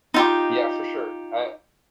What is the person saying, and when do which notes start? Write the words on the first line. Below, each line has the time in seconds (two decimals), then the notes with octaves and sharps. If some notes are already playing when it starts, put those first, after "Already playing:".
Yeah, for sure. I
0.14 D#4 F4 G4